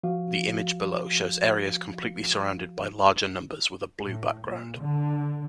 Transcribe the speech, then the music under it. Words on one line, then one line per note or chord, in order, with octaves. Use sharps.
The image below shows areas completely surrounded by larger numbers with a blue background.
F3 F#4 F5
A2
A#2
D3